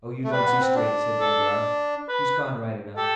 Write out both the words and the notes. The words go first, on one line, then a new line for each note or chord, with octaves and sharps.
"Oh, you don't see straight," said Danglars; "he's gone right enough."
A3
G3 B4
B3
C4
D4
A4
B4
G4 A4